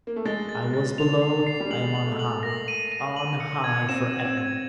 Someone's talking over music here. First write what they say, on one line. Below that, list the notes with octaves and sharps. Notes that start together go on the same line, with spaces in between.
I was below, I am on high--on high for ever!
A#3
A3
G#3 A6
A6
A6
F7
C7
C7
G3
G#3 F#7
F#7
A3
F#7
A#3 A#6
D#7
D#7
F#7
C#7
G#6
C4 E7
E7
C4
G#6